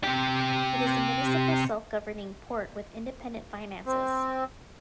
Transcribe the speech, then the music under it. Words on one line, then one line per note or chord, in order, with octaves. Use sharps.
It is a municipal self-governing port with independent finances.
C3 G4
C4